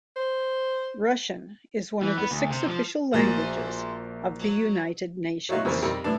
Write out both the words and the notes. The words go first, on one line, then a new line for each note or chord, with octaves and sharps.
Russian is one of the six official languages of the United Nations.
C5
E3
B3
D2
C3
F3
A#1 F3 A#3 F#4 G#4 C5 E5 A6
F#3
F#3 A3 D#4 F4 F#4
F2 C#3 E3 F3 G3 A#3
F2 C3 D#3 G3
A2 B3 D4